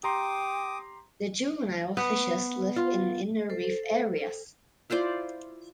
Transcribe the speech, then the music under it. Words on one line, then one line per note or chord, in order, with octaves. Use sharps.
The juvenile fishes live in the inner reef areas.
G4 G5 A#5 C6 D6 D#6
B3
F4
A4 C5
E4 F4 C5 D5